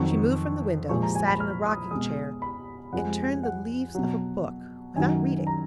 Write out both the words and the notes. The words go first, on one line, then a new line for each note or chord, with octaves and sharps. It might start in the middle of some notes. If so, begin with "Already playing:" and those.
She moved from the window, sat in a rocking-chair, and turned the leaves of a book, without reading.
Already playing: F2 D#3 F#3 C#6
A#2 F3 G#3 C#6
A#5
G#5
B5
F6
D#6
B2 G#3 D#6
B5
F2 F3 G#3 F#5
F#5
B2 F#3
F#2 D#3 F#3 G#5
A#5